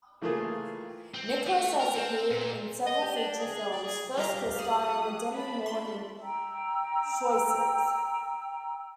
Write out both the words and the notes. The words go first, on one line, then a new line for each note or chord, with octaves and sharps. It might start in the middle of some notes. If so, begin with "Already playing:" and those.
Nichols has appeared in several feature films, first co-starring with Demi Moore in Choices.
C#3 E3 A3 A#3 F4 G#4
C4
A3
A#4
C4
A#2
D#5
G4
D4
G#4
G#4
D5
G#4
G3 F4 G4 A#4 D#5 F5 A#5
G#4 D#6 F#6
D4 B5
C6
G5 A#5 E6